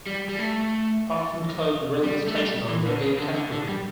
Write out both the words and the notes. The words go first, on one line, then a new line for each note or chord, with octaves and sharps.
Pathankot Railway Station under A-category.
G3
G3
A3
G3
A3
G3
E3
D3
C#3
D3
D3
D3
G3